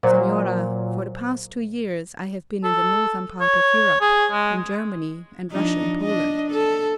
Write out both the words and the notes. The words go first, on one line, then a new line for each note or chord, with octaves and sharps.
"Senora, for the past two years I have been in the northern part of Europe, in Germany and Russian Poland."
A#2 F#3 C5
A4
C#5
G#4
G#3
F3 D4 D#4
D4 D#5
A4